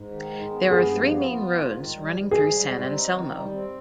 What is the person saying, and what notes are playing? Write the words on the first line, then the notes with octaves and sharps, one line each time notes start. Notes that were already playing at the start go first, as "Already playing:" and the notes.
There are three main roads running through San Anselmo.
Already playing: G#2
D#3
G#3
B3
G2 G#4
F3
B3
F4
G#2
D#3
G3
G#2
G#2 G#4
G3
C4
D#4
D#3
G3
C4